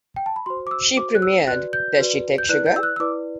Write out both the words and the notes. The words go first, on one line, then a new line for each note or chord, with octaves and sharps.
She premiered Does She Take Sugar?
G5
A5
B5
F#4 C5 C6
D6
E6
F#4 C5 D6
F#6
E6
F#4 B4 D5 F#6
G6
F#4 B4 D5
G6
E4 B4 D5 F#6
G6
E6
F#6
E6
E4 B4 D5 D6